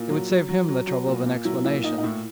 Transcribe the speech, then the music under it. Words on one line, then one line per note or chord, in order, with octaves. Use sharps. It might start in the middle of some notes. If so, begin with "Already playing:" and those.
It would save him the trouble of an explanation.
Already playing: A#2 E4
F#3
F#3
F#3
F#3
F#3
A#2
A#2
F#3 E4
A#2 E4
A#2 D#4
D#4
A2 E4